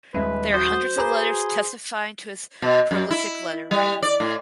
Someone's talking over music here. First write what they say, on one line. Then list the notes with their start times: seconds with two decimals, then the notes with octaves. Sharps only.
There are hundreds of letters testifying to his prolific letter writing.
0.14 D#1 G#3 B4 E5
0.54 F#4 C5 D#6
0.98 G#4 B4 A#5 D6
2.62 B2
2.91 F#2
3.11 E4
3.71 G3
4.02 D5
4.20 A2